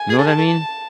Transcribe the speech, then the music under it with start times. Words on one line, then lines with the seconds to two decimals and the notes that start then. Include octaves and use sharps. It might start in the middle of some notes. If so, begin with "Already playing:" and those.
You know what I mean?
Already playing: G#5
0.10 G#4
0.18 A4
0.27 G#4 A5
0.38 A4